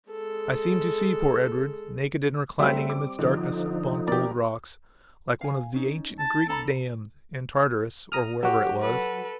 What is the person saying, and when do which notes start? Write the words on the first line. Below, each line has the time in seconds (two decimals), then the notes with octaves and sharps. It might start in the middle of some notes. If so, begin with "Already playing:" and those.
I seem to see poor Edward, naked and reclining amidst darkness, upon cold rocks, like one of the ancient Greek damned, in Tartarus or wherever it was.
0.10 G#3 A4
2.59 F#3 G3 A3 C4 E5
2.90 D6
3.19 D3 F3 D#4
4.08 B2 G4 A#4 D5
5.41 F5 G#5
5.74 C#4 D#4
6.19 A5
6.48 D4 A4 A#5 B5
8.12 A#5 D#6 F6
8.43 F#3 F#4 G4
8.81 A4 B4